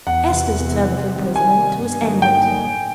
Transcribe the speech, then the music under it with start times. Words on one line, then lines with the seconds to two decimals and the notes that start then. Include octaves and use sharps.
Esther's term of imprisonment was ended.
0.06 E2 F#5
0.28 C3 E3
0.50 E2
0.71 C3 E3
0.92 C3
1.15 D#3 G3
1.35 C3 G#5
1.57 D#3 G3
1.79 G2
2.01 D3 F#3 A#3 D#4
2.22 G2 G5
2.44 D3 F#3 A#3 D#4
2.65 A2